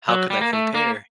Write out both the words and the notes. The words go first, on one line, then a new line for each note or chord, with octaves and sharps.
How can I compare?
F#3
G3
A#3
A3
A#3